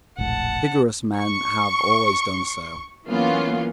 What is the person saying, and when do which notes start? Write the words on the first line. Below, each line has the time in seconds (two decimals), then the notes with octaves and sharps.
Vigorous men have always done so.
0.18 E1 A#1 A2 F#5 A5
1.16 C#6
3.06 E3 F#3 A#3 B3 C#4 F4